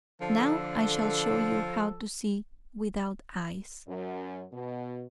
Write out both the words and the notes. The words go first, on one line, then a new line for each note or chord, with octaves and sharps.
Now I shall show you how to see without eyes.
D3 F3 A4
F#2
B2